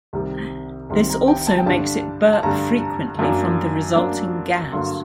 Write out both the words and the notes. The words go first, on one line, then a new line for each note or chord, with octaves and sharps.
This also makes it burp frequently from the resulting gas.
C2 C3 D#3 G3
C2 C3 D#3 G3 C6
A#5
G5
A5
G5
G2 D3 G3 D4 A5
A5
G2 D3 G3 D4 A#5
F#2 F#3 A#3 D4
F#2 F#3 A#3 D4
G2 D3 F#3 A#3 C6